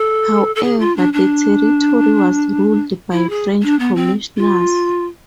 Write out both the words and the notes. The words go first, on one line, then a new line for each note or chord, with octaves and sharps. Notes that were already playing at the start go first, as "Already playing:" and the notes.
However, the territory was ruled by French commissioners.
Already playing: A4
A4
G#4
F4
D4
D4
E4
G#4
D4
B3
C4
F4